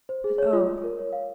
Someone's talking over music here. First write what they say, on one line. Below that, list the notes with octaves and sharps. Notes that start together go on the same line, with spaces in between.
But oh!
C5
G#4
C#5
F4
F4
A#4
C#5
F5